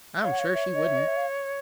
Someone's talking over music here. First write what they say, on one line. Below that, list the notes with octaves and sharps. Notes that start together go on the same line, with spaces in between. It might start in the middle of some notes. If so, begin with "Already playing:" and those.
"I'm sure she wouldn't."
C#5 F5
F#5
F5
E5
D#5
E5
D#5
E5
F5